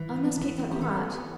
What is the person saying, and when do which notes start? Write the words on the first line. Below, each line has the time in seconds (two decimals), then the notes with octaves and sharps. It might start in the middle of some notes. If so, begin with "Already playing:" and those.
I must keep that quiet.
Already playing: E3
0.16 B3
0.37 E3
0.59 B3
0.71 G4
0.81 E3 A4
1.03 B3